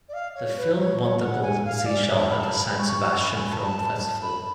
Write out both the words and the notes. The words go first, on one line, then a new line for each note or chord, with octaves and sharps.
The film won the Golden Seashell at the San Sebastian Film Festival.
D5
F5
C#5
B4
C#5
C#5
F#5
G#5
F5
F5
D5
C#5
A5
B5
A5
B5
C#6
C#6
C#6
B5
G#5
A5
B5
A5
B5